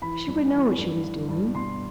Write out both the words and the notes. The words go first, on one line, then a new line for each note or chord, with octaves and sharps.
She would know what she was doing.
E3 B5
G2
E3
G2
E3
G2
B2 C6